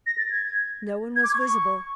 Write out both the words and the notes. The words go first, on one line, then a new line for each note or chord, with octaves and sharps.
No one was visible.
A#6
A6
G#6
G#6
D6
C#6
C#6